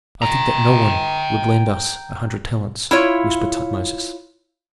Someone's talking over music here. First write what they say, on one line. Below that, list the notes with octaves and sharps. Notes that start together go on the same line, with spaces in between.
"I think that no one would lend us a hundred talents," whispered Tutmosis.
G5 A#5
E4 F4 C#5